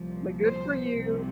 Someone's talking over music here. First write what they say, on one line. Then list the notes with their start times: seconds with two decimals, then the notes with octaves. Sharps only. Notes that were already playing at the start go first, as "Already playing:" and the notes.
like, "Good for you."
Already playing: C2 A#2 F3
0.41 C5
0.92 C2 C3 F3